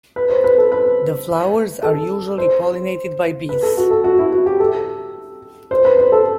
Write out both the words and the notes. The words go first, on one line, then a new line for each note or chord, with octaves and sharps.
The flowers are usually pollinated by bees.
B4
C5
B4
A4
B4
A4
C5
B4
A4
F#4
A4
F#4
E4
F#4
G4
A4
C5
B4
C5
A4